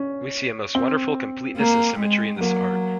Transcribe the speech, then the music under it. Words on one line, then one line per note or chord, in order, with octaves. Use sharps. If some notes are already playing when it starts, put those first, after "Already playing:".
We see a most wonderful completeness and symmetry in this art.
Already playing: C#4
C4
A#3
G#3
F#3 A#3